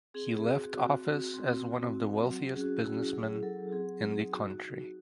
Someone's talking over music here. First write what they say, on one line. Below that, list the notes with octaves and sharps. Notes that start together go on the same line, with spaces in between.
He left office as one of the wealthiest businessmen in the country.
C4 G#4
F#4
C4 F#4
F#4
C4
C4
F#4
F#3
C#4 G#4
F#4
F#4
E4
F#3 G#4
F#3 A4
C4 G#4
D#4
F#4
F#4